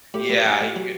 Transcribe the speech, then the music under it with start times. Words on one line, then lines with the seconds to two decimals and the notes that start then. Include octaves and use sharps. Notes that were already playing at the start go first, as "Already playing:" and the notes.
Yeah, you can get
0.14 A2 G4
0.30 A2
0.46 C#4
0.61 A2
0.76 F#3